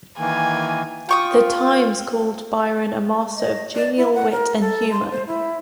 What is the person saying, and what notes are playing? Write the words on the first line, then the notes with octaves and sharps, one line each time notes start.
"The Times" called Byron a master of "genial wit and humour".
D#3 E3 A#3 G#5
F4 G5 C#6 D#6
D#5
D5
E4
F#5
A#4
A4
C6
C5
E4